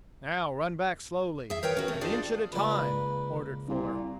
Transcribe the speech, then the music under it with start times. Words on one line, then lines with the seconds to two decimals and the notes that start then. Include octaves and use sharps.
"Now run back slowly--an inch at a time," ordered Fuller.
1.50 G#4 E5
1.63 A#4 B4 C#5 G5
1.77 C#4 F#4
1.88 A3
2.01 D4 D#4 F4 G#4 D5
2.53 C#2 A#3 B4 D5
3.68 C2 A#2